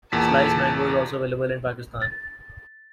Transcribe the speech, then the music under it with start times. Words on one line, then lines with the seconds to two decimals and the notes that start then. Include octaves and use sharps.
Slice mango is also available in Pakistan.
0.12 E2 A#2 A5 B6
2.02 A6